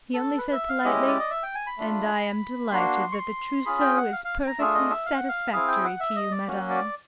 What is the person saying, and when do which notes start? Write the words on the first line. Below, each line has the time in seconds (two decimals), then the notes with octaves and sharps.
He only said politely, "And I am delighted that the trousseau is perfectly satisfactory to you, madame."
0.14 A4
0.38 B4
0.53 E5
0.69 F5
0.84 G#3 C#4 E4 G4 D#5
1.08 D5
1.19 D#5
1.31 E5
1.43 G5
1.55 G#5
1.67 B5
1.78 A3 D4 F4
2.71 A#3 D4 F#4 C6
3.12 C#6
3.18 C6
3.65 C#4 F4 G#4 B5
3.81 G5
3.97 F#5
4.12 F5
4.25 F5
4.47 A#5
4.59 A3 D4 F4 G#4 E5
4.75 D#5
4.90 E5
5.06 F5
5.17 F#5
5.29 F5
5.52 C4 E4 G#4 F5
5.68 G5
5.84 F#5
6.00 E5
6.16 D#5
6.31 D5
6.47 A#3 C#4 F#4
6.70 D5